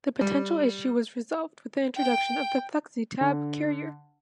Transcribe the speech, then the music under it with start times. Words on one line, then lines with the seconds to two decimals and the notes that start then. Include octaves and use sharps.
The potential issue was resolved with the introduction of the "Flexi Tab" carrier.
0.21 G3
1.96 G5
3.21 D3